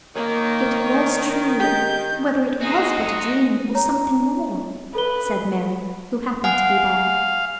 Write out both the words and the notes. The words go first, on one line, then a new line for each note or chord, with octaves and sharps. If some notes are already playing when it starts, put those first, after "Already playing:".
"It was true, whether it was but a dream or something more," said Mary, who happened to be by.
D#3 A#3 C#5
G4 D#5 G6
D#4 F#4 G#4 C5 D#5
C#5 A#5
A4 B4 G7
F5 F#5 G#5